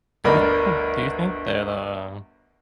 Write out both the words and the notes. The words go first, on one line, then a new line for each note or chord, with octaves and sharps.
Do you think do you think that, uh,
G1 D2 A#4 D5 D#5 B5